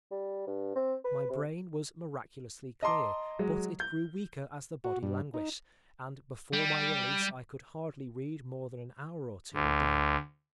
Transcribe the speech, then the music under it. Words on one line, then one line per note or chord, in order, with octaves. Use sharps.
My brain was miraculously clear, but it grew weaker as the body languished; and before my release I could hardly read more than an hour or two a day.
G3
G2
C4
B4
C3
D#5 A5 A#5 C6 D6
F#3 G#3
G6
F#4
G2
D#4
G3
D2